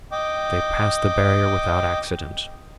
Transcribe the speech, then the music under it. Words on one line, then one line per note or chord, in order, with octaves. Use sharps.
They passed the barrier without accident.
D#5 G5 D6